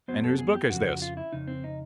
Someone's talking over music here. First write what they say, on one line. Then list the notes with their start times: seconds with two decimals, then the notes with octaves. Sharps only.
"And whose book is this?"
0.08 F#2 D#3 F#3 B3 C5
0.24 A4
0.39 G#4
0.55 G4
0.70 F2 C#3 F3 F#4
0.86 F#4
1.02 F4
1.17 E4
1.32 F2 C#3 D#4
1.47 C4
1.64 D#4